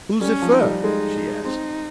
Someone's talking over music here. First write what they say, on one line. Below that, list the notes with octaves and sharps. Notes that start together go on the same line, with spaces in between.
"Who's it fur?" she asked.
G3 C#4
F3
D#4
G3
G#3 D#4
C4 D#4